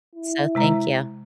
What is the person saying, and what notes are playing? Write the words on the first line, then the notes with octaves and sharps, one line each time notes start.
so thank you.
E4
C3 G#3 A#5